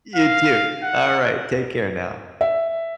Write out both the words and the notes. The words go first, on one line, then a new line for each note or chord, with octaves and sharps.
you too, alright, take care now.
F5
F#5
E5